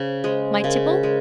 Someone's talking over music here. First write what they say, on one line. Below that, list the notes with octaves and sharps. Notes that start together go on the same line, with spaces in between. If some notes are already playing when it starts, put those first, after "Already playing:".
My tipple.
Already playing: C#3 C5
G#3 C5
G#4
C#3 A#4
G#3